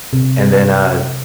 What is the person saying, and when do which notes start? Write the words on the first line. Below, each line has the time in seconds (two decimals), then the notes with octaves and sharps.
and then, uh,
0.13 C3